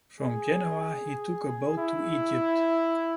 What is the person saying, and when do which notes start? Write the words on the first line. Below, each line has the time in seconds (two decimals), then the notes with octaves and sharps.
From Genoa he took a boat to Egypt.
0.20 G#4
1.77 E4